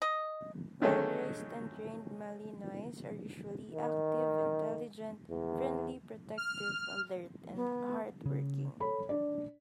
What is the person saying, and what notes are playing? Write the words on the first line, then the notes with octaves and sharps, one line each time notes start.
Well-raised and trained Malinois are usually active, intelligent, friendly, protective, alert and hard-working.
D#5
D3 D#3 F#3 G#3 A3 C#4
D#3
E2
F6
B3
C#3
A4 C#5 B5
D4 D5